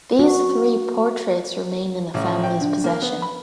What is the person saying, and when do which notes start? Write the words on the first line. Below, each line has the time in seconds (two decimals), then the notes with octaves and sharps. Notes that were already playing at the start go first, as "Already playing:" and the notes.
These three portraits remain in the family's possession.
0.19 F#4
2.14 A1
2.44 G5
2.61 D3
2.84 A#3
3.01 B3
3.22 B5